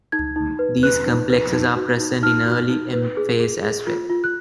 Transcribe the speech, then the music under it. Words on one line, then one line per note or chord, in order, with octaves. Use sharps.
These complexes are present in early M phase as well.
D#4 G#6
D#4
B4
B4 F#6
D#4
B4
D#4
F#4
D#4
D#4 F6
F#4
D#4
B4
G#4
G#4
G#4
F4
F4
F#6